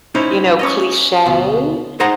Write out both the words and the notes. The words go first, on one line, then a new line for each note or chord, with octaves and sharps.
you know, cliche,
C#4 D#4 E4 C5
C#4 C#5 D#5
D2 B2
D#4 G#4 C5 D#5 F#5 A#5